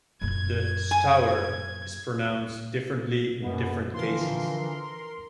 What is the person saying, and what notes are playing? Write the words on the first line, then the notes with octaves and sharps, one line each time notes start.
The "Stour" is pronounced differently in different cases.
F#2 A#2 G#6
G#5
F#2 B2 A#3 B3
D3 E3 F3 A#4 C6